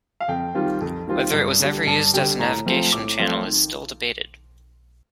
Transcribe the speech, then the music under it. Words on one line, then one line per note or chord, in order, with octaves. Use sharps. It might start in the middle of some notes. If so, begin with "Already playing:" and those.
Whether it was ever used as a navigation channel is still debated.
F5
F2 G5
D#3 G3 C4 F4
F2
D#3 G3 C4 F4
G2
D3 G3
G2 A5
D3 G3 G5
A2 A#5
F3 A3 C4 F4
A2 D6
F3 A3 C4 F4
D#3